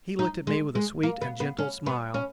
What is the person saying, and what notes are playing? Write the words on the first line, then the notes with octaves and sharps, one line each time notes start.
He looked at me with a sweet and gentle smile.
D#4
G#3
G#3
A#3
B3
B3
C#4
B3
C#4